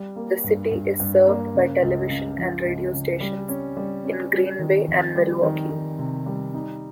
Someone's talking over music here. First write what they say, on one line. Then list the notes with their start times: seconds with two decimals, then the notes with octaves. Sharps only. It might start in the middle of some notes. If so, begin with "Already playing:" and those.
The city is served by television and radio stations in Green Bay and Milwaukee.
Already playing: G3
0.16 A#3
0.44 G2
0.71 G2
1.00 G2
1.27 A#3
1.55 C#3
1.83 C#2
2.10 C#3
2.38 F3
2.65 C#2
2.93 C#3
3.20 G3
3.49 C#4
3.77 G3
4.04 C#4
4.32 G3
4.59 D#3
4.88 F2
5.15 G3
5.43 D#3
5.71 D#3
5.99 C3
6.26 G3
6.54 D#4